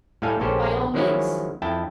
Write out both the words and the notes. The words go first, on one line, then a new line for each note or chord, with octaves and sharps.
"By all means."
A2 G3 E4 A4 F5 G#5
A#1 C#3 C#4 G4 A4 C5
D#3 F3 F#3 G#3 C#4 E4
F2 E4 G5 A5